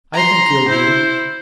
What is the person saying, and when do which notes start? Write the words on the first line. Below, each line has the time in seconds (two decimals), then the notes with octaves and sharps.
"I think he'll do."
0.13 A#5 C6
0.68 E4 C5